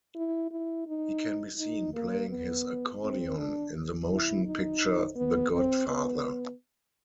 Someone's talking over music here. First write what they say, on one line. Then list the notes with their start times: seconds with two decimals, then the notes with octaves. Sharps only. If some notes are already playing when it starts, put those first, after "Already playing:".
He can be seen playing his accordion in the motion picture The Godfather.
0.15 E4
0.51 E4
0.87 D#4
1.58 D#4
1.94 A#3
2.29 B3
3.01 C4
3.37 D4
4.09 E4
4.45 D#4
5.15 B3
5.52 C4
5.87 B3